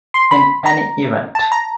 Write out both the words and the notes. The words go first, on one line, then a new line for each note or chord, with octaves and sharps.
In any event.
C6
B5
A#5
A5
A#5